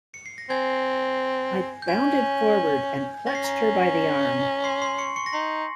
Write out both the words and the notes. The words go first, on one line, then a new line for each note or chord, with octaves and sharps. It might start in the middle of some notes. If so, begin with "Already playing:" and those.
I bounded forward, and clutched her by the arm.
C#7
C7
A#6
C4 G#5 G#6
G6
C#4 G#5 G#6
C#4 A#6
C7
A#5 A#6
C6 C7
C6 C7
C#6 C#7
C#6 C#7
A#6
D#4 C6 C7